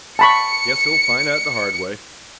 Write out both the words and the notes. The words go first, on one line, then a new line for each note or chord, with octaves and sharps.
"Guess he'll find out the hard way."
A5 B5 C#6 C#7